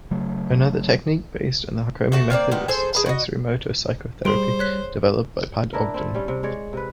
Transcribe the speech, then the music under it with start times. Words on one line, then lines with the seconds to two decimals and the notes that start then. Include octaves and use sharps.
Another technique based on the Hakomi Method is Sensorimotor Psychotherapy, developed by Pat Ogden.
0.11 C#3 F#3 A3
2.12 A3 F#4 A5
2.30 A#3 C4 C#5 D5
2.51 C3 D#3 B3
2.68 G#4 A4 C5
2.93 G#4 B4 A5
3.06 F#4 D#5
4.25 G3 G#4 C5 C6 D7
4.59 C#5 F#6 B6
5.73 D4 E4 A#4
5.94 C4 E4 A4
6.14 G3 C#4
6.28 C3
6.43 G#3 C#5 D5
6.73 C3 B4